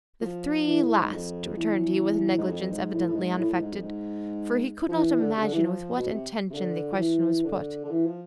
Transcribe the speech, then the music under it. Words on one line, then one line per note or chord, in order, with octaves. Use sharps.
"The three last," returned he, with a negligence evidently unaffected, for he could not imagine with what intention the question was put.
F3
E3
A2
G#2
F2
E2
G#2
F2
G#2
A2
A2
G#2
A2
A2
G#2
F2
G#2
F3
E3
D3
C3
D3
E3
F3
B2
C3
C3
D3
F3
E3
D3
D3
E3
F3